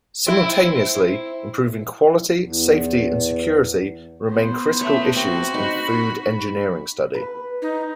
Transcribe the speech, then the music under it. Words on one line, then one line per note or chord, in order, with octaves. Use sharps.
Simultaneously, improving quality, safety, and security remain critical issues in food engineering study.
C4 E4
E2
B3 C5
A3 C#5
C4 F#4
D#4 B5
B4
D#4